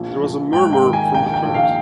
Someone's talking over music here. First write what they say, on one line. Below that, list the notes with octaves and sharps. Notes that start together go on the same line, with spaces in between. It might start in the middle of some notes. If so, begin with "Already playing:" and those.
There was a murmur from the crowd.
Already playing: A#1 F3
A#1
G#2 G5
G5
D#3
G#5
A#1 G5
G5
A#1
F5